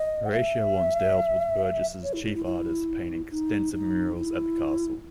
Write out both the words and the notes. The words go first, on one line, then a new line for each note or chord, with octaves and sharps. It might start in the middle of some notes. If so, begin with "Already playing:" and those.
Horatio Lonsdale was Burges's chief artist, painting extensive murals at the castle.
Already playing: D#5
F#5
E5
C#5
E4
E4
E4
E4
D#4
D#4
E4